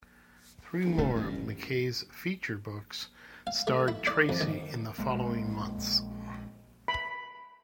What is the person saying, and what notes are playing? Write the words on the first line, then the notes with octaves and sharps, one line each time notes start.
Three more of McKay's Feature Books starred Tracy in the following months.
D#1
D1 C#3 A3
A1 G2
F5
A3
E4
D5
F2
D#3
A#1 G#3 A#3
B5